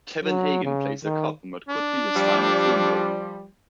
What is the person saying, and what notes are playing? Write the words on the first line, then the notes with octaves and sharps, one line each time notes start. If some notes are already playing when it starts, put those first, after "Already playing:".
Kevin Hagen plays a cop in what would be his final film role.
F#3
C#3
D#3
D4
F3 G3